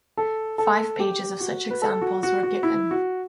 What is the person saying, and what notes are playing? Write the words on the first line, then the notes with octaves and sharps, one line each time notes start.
Five pages of such examples were given.
A4
A4
G4
F#4
B4
A4
F#4
F#4
F#4
E4
F#4